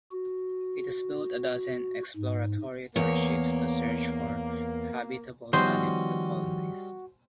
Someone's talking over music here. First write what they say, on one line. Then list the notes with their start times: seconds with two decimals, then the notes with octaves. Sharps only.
It has built a dozen exploratory torchships to search for habitable planets to colonize.
0.11 F#4
2.17 G#2
2.96 E2 A#3 C#5
5.53 D#3 F3 G3 B3 C#4 F#4 C5 D#5